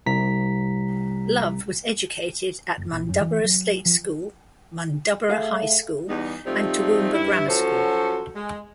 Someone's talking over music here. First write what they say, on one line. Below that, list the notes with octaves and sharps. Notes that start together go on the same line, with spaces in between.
Love was educated at Mundubbera State School, Mundubbera High School and Toowoomba Grammar School.
C2 A#5 B6
F#1
A#1
F#2
E3
F#3
F3
A3 G#4 F5
E2 G3 D#4
C3 F3 G3 A3 C4 D#4
G2 E4
F3 F#3 C#4 F#4 A4 C5
G#3